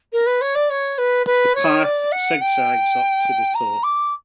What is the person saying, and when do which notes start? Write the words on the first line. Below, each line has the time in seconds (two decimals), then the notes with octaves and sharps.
The path zig zags up to the top.
0.12 A#4
0.26 B4
0.41 C#5
0.55 D5
0.70 C#5
0.98 B4
1.26 B4
1.55 C#5
1.84 D5
2.12 F#5
2.41 G5
3.54 A#5
3.83 D6